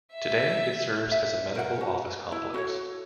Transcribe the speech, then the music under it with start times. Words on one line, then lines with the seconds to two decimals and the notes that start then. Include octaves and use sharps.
Today it serves as a medical office complex.
0.14 E5
1.11 E5
1.55 A#4 F#5
1.81 F#4
2.32 E4
2.54 F#4 A4 C#5